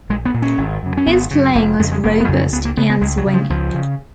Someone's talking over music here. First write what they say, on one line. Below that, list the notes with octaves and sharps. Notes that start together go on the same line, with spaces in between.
His playing was robust and swinging.
A#1 G#3
B3
A#2
C#4
G#1
F#2 C#3
C#4
G#1 B3
F#2 C#3
F1 A#3
F2 C#3 G#3
G#3
F1 A#3
B3
F2 C#3
C#4
C#2 B3
A#3
C#3 B3
B3
C#2 G#3
F#3
C#3
F3
C#2 F3
C#3